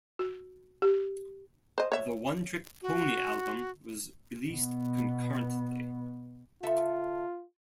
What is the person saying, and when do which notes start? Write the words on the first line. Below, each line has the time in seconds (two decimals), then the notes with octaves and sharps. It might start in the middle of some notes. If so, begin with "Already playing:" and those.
The "One-Trick Pony" album was released concurrently.
0.19 F#4
0.82 G4
1.78 C5 D#5
1.92 C#5 E5
2.82 F#4
4.49 B2 B3
6.63 C#3 F4 A4 E5